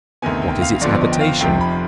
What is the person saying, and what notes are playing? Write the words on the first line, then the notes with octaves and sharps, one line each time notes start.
What is its habitation?
D2 C3 D#3 B3 G#5
G5
G5
F5
G1 F2 D3 F3 B3 D5
D5
D#5
G5
F5
F1 F2 C3 F3 G5
B5